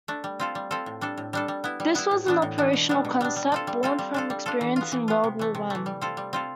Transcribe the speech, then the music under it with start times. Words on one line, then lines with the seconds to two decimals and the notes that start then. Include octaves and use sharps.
This was an operational concept born from experience in World War One.
0.08 A3 D4
0.24 G3
0.40 C4 F4 A4
0.55 G3
0.71 C4 F4 A4
0.86 A2
1.01 G3 D4 A4
1.18 A2
1.33 G3 D4 A4
1.48 G3
1.64 B3 E4
1.80 G3
1.95 B3 E4
2.11 A2
2.26 E3 B3 D4
2.42 A2
2.58 E3 B3 D4
2.73 B2
2.89 G3 B3 D4
3.05 B2
3.21 G3 B3 D4
3.36 G3
3.52 C4 F4 A4
3.67 G3
3.83 C4 F4 A4
3.99 G3
4.14 D4 F4 A4
4.30 G3
4.46 D4 F4 A4
4.61 E3
4.76 B3 F4
4.92 E3
5.08 B3 F4
5.24 C3
5.39 E3 A3
5.55 C3
5.70 E3 A3
5.86 G3
6.01 C4 F4 A4
6.17 G3
6.33 C4 F4 A4